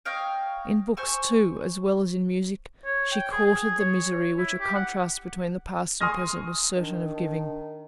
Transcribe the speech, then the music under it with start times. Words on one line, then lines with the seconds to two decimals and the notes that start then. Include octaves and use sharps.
In books too, as well as in music, she courted the misery which a contrast between the past and present was certain of giving.
0.05 C#5 D#5 F5 G5
0.97 C5 G#5 C#6 E6
2.85 C#5
3.12 G5
3.31 G#4
3.46 G#4
3.79 C#5
4.38 E4
4.60 G4
4.75 F#5
6.01 G#5 C6 C#6 D#6 F6 A#6
6.77 D#3 D4